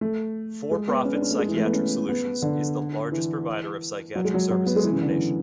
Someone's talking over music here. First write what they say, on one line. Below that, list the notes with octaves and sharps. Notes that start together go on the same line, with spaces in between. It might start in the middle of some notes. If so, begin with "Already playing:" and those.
For profit Psychiatric Solutions is the largest provider of psychiatric services in the nation.
A3
G#3
B3
C#4
D4
C#4
A3
G#3
E3
A3
B3
C#4
B3
D3
E3
F#3
G#3
F#3
F#3
B3
G#3
E3
C#3
D3
E3